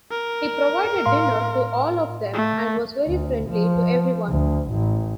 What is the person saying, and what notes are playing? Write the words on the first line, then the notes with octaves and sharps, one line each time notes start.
He provided dinner to all of them and was very friendly to everyone.
A#4
A2 F5 C6
A3
D2
F3
D2
A1